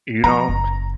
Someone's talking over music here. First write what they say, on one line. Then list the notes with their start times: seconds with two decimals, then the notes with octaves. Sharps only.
you know,
0.24 F3 A#5
0.49 F#1